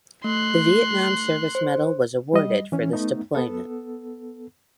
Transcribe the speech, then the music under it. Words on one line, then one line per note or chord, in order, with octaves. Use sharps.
The Vietnam Service Medal was awarded for this deployment.
A3 C6 F#6
C5
G3 D#5
E3 C#4
A3 B3 D#4
B3 A4